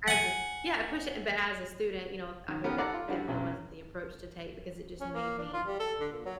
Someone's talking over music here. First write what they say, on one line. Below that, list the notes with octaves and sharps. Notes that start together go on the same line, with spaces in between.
as Yeah, pushi but as a student, you know, I think that definitely wasn't the approach to take because it just made me
F#5 G#5
D#3
B3 C#4 D#4 G4 A#4
A4 D5 F#5 A#5
F4
G3 D4 E4 F#4
B1 F#2 F#3
C#4
A#3
D4
F4
G3
A4
D3
A#2
F#3